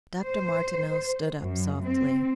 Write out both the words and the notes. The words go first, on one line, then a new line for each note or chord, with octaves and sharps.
Dr. Martineau stood up softly.
C5
F#2
C4